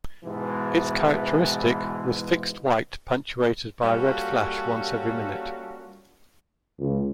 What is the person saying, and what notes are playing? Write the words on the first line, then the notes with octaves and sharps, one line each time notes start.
Its characteristic was fixed white punctuated by a red flash once every minute.
G#2 B2 E3
G3 A#3 C#4 F4 F#4 A4
C#2